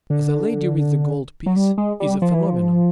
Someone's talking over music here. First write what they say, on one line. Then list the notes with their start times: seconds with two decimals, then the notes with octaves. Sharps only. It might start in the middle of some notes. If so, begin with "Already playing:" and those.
"The lady with the gold piece" is a phenomenon.
0.10 D3
1.46 F#3
1.56 G3
1.78 G#3
2.00 G3
2.22 F3
2.34 E3
2.47 F3